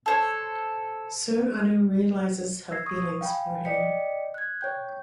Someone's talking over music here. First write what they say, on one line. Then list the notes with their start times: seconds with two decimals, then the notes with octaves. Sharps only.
Soon Anu realizes her feelings for him.
0.06 A4 C5 C#5
2.71 E6 G#6 A#6 C7
2.86 C#6 D#6
3.21 F5 G5 G#5 B5
3.65 D5 D#5 G5 B6 C#7
4.34 F#6 G#6
4.61 C#5 G5 G6